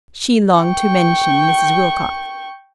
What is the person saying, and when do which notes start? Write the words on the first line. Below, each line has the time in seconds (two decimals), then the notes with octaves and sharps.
She longed to mention Mrs. Wilcox.
0.60 G5 C#6